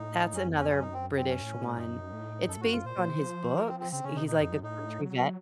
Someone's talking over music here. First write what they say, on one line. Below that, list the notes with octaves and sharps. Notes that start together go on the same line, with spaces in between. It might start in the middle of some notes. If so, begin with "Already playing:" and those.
That's another British one, it's based on his books, he's, like, a country vet.
Already playing: A2 D#4
F#2 C#4
F2 C#4
F#2 C#4
D#4
C4
C4
C#4
A2
F#2 D#4
A2
F#2 A4
A2
F#2 F#4
F4
A#2 C5
A#2
C3
D#3
F3
A#4
C4
C4
C#3 C4
C#3 C#4
C3 D#4
A#2 D#4
F#2
F2
F#2
A2 D#4
F#3